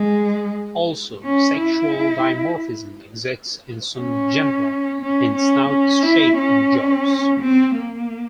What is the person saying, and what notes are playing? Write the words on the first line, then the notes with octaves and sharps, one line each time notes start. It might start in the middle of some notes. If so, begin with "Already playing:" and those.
Also, sexual dimorphism exists in some genera in snout shape and jaws.
Already playing: G#3
C#4
E4
C#4
C#4
C#4
C#4
E4
C#4
C4
A#3